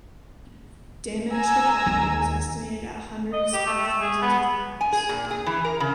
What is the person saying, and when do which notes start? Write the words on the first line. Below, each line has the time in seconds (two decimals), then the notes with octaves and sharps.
Damage to property was estimated at hundreds of thousands of pounds.
1.33 G#5 A#5 E6
1.86 D#2
3.33 D#5
3.53 G4
3.66 A3
3.87 A3
4.01 G#4
4.22 B3
4.81 G#5
4.93 G#4
5.09 A#2
5.30 G#4
5.46 E3
5.65 A#4
5.80 C#3